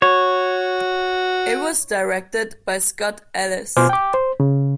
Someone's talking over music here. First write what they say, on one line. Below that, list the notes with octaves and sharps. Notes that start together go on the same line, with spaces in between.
It was directed by Scott Ellis.
F#4 C#5
B2 F4 C5 G#5 D6 F6
G5 D6
C5
C#3